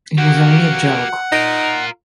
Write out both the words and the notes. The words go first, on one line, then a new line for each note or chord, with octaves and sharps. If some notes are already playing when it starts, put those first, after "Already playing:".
It was only a joke.
A#3 F#4 G4 F#5
D#4 F4 A#4